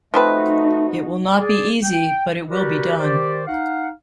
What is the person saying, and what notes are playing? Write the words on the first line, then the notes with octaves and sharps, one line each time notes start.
It will not be easy, but it will be done.
F3 A3 C4 D#4 F#4 B4
G#4 D5
G5
F#4 G4 A#4 B4 D5
D#3 G4 C5 D5
D#4 F5 F#5